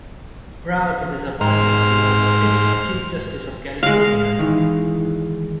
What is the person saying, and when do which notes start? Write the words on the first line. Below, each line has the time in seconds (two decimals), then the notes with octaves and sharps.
Prior to this appointment, he was the fifth Chief Justice of California.
1.41 G#2 C5 F6
3.83 G#3 F5
4.39 D#3 E3